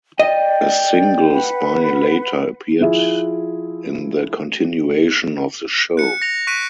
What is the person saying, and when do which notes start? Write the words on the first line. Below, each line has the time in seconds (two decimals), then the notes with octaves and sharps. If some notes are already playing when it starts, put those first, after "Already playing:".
A single Spiny later appeared in the continuation of the show.
0.20 D5 D#5 G5
1.31 B4 F#5
2.81 F3 E4 G#4
5.97 F#6 C#7
6.22 A#6 F7
6.47 C#6 F#6 B6 D7 D#7